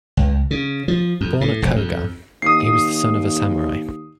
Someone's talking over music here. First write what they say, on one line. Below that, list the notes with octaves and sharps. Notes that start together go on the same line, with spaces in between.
Born at Koga, he was the son of a samurai.
C#2
C#3
F3
F2
A2
F1
F2
D#2 D#6 C7